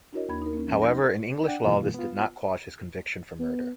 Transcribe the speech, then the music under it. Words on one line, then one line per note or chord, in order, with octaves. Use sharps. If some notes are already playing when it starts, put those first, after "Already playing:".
However, in English law this did not quash his conviction for murder.
D4 E4 F#4 A#4 C#5 D#5
D#2 A#3 D4 B5 G#6
D#4 A#4
A#3 C#4
F3 C#4 E5
D#4 G6 A#6
D4 D5 F#5 G5
F#2 B2 E3 G#3 A#3 F4
B3 F4
B3